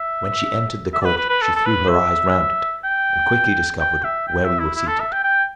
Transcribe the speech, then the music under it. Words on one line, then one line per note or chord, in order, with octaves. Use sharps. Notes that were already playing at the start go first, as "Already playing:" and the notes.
When she entered the court she threw her eyes round it and quickly discovered where we were seated.
Already playing: E5
E5
D5
B4
B4
B4
A4
A4
B4
E5
G5
G5
E5
G5
E5
E4
E4
A4
E5
G5
G5